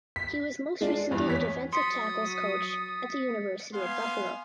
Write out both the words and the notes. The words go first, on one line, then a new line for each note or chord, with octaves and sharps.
He was most recently the defensive tackles coach at the University at Buffalo.
B6
G#3 D4 F4
E2 G2 E3
E2 C#5 B6
F#3 C6 D#6 A6 B6 C#7
B3 F5 G#5 C6